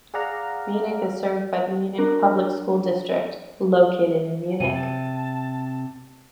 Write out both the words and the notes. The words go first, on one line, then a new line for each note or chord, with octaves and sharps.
Munich is served by the Munich Public School District, located in Munich.
G#4 D5 F5 F#5 A#5 F6
D4 F#4 A#4
C3 D#7
A5